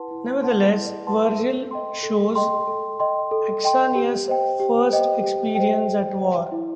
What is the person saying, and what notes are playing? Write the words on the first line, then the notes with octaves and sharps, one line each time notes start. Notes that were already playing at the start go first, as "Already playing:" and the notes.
Nevertheless, Virgil shows Ascanius' first experience at war.
Already playing: E4 B4 F#5 A5 C6
E4
B4 F#5 A5 C6
E4
B4 F#5 A5 C6
A4
D#5 G5 C6
A4
D#5 G5 C6
A4
D#5 G5 C6
A4
D#5 G5 C6
G4
C5 D#5 G5
G4
C5 D#5 G5
G4
C5 D#5 G5
G4
C5 D#5 G5
E4